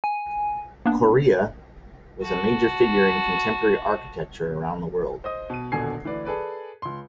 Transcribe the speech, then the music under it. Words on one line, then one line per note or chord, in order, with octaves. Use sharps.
Correa was a major figure in contemporary architecture around the world.
G#5
A#3 B3 D4
F#4 A5
C5 D#5 D#6
B2 D#7
D#1 B2 D3 G#5 G#6 C7
D2 E3 B4 D5
G#4 A4 B4 D5
C#2 C6